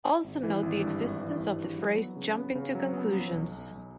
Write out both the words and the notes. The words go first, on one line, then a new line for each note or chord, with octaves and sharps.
Also note the existence of the phrase "Jumping to conclusions".
G#1
E3
G#1
G2
G#1
E3
G#1
G#1
F#3
B3
C#3
B3
C#3
F#3
B3
B3
B1
B1
B1